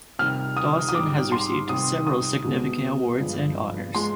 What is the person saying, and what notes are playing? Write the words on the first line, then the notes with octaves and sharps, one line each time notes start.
Dawson has received several significant awards and honors.
C3 D#3 G3 F6
D#6
D#6
G#2 G3 D6
C6
C3 D#3 G3 D#6
D#6
B2 G#3
G2 F3 G#3
F3 G#3 C6